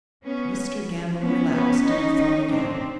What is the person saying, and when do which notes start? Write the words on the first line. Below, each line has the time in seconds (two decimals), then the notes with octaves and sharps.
Mr. Gamble relapsed into thought again.
0.23 B3 C#4
1.21 B3 C#4
1.53 B3 C#4
1.86 C#4 D#4
2.18 C#4 D#4
2.51 C4 D4